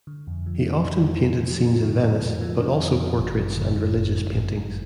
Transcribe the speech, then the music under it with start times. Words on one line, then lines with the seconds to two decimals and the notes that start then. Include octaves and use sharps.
He often painted scenes in Venice, but also portraits and religious paintings.
0.07 D3
0.27 F2
0.46 F3
0.66 F2
0.84 F3
1.04 F2
1.24 F2
1.43 F3
1.62 F3
1.82 D3
2.02 D3
2.21 F2
2.41 F3
2.61 D3
2.79 F2
3.00 D3
3.18 G1
3.39 F#2
3.57 D3
3.78 G1
3.96 G1
4.16 G1
4.35 G1
4.56 F#2